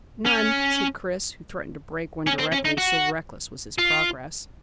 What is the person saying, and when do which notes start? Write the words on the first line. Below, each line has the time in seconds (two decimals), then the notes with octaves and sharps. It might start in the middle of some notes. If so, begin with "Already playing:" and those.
"None," said Chris, who threatened to break one directly, so reckless was his progress.
0.26 C#4
2.27 C#4
2.40 C4
2.53 C#4
2.65 D#4
2.78 F#4
3.78 F4